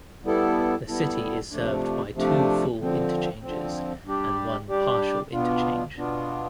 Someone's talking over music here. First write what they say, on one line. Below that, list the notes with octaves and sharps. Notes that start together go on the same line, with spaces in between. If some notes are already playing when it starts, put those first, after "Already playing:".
The city is served by two full interchanges and one partial interchange.
G3 B3 E4 A4
G3 B3 E4 A4
C3 F3 A3 D4
C3 F3 A3 D4
D3 F3 C4
D3 F3 C4
G3 D4 G4 D5
G3 D4 G4 D5
B2 B3 D4 F4
B2 B3 D4 F4